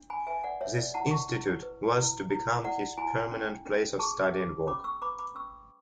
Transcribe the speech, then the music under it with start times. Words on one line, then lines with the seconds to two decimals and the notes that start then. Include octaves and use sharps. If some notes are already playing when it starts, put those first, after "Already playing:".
This Institute was to become his permanent place of study and work.
Already playing: D4
0.10 G#5 B5
0.27 B4 E5 G#5
0.44 D5 F#5
0.61 B4 C#5 E5
0.78 D5
0.94 E4 F#5 A5
1.11 A5 C#6
1.29 E4
1.63 B4
1.97 E4
2.30 E4
2.64 E4 D5 F#5
2.98 E4 G#5 B5
3.31 C#4
3.65 C#4
3.99 G#4 A5 C#6
4.34 G#4
4.67 C#4 B5 D6
4.84 C#6 E6
5.02 B4 B5 D6
5.19 B5 D6
5.35 C#4 C#6 E6